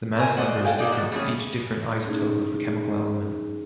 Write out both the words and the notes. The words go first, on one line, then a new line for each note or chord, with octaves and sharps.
The mass number is different for each different isotope of a chemical element.
A#4 C5 G#5
F#4 C5 D5 D#5
A4 F5 G5 G#5
A#3 D#4 D5
F3 G#3 F#4
G3 A3 C#4 G#4
C#4 D#4 G#4